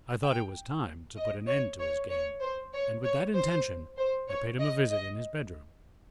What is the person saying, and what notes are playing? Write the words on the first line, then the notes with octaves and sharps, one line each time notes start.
I thought it was time to put an end to his game, and with that intention I paid him a visit in his bedroom.
G5
D#5
C#5
C#5
C#5
C5
C#5
C#5
C5
C5
C#5
D#5
D#5